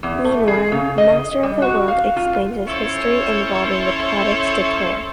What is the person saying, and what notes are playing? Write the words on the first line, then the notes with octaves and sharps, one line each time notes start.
Meanwhile, Master of the World explains his history involving the Plodex to Claire.
E2
A3
G#4
C#3
D#5
G3
F#4
F5
F4
C#4 E4 A4 C5 C#5